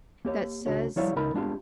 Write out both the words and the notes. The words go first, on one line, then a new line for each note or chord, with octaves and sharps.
that says
A#3 G4 C#5
C#2 D4 F#4 C#5
F3 G3 E4 C#5 D5 F5
C#2 D#4 A#4 B5
G#3 D4 F4 G4